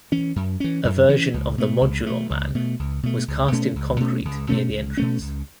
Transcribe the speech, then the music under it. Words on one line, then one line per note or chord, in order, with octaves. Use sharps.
A version of the Modulor Man was cast in concrete near the entrance.
E3 C#4
F#2
E3 C#4
F#2
E3 C#4
C#2
B2 A3
C#2
B2 A3
C#2
B2 A3
C#2
B2 A3
C#2
B2 A3 C#4
C#2
B2 A3 C#4
C#2
B2 A3 C#4
C#2
B2 A3 C#4
C#2